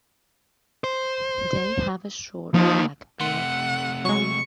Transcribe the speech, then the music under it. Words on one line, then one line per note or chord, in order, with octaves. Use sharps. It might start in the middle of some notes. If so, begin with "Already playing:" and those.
They have a short black bill.
C5
F3 A#3 D#4
C3 A3 F#5 C6
F#3 G#3 C#6